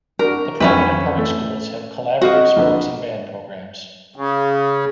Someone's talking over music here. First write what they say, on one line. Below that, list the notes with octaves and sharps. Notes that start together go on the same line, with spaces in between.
The private and public schools have collaborative sports and band programs.
D4 F#4 A#4
B1 F2 D3 C#4 D4 B4
A3
C4 F#4 C5 D#5 F5
A#1 D3 B4
C#3